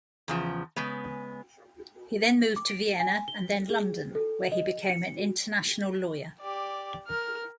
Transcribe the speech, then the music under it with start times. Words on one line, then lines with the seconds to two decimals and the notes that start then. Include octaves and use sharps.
He then moved to Vienna, and then London, where he became an international lawyer.
0.28 E2 C#3 F3
0.76 C#3 G#3 B3
2.56 D6
2.70 D7
3.00 G#5
3.28 G7
3.70 G#4
4.15 A4
4.52 D#5
4.89 C#7
5.18 F#4
6.41 G4 D5
7.07 A#4 F6